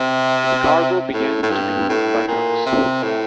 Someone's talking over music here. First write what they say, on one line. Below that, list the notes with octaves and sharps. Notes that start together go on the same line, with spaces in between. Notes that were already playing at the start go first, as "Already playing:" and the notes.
The cargo began to be moved by trucks.
Already playing: C3
A2
A2
G2
A2
A#2
C3
A2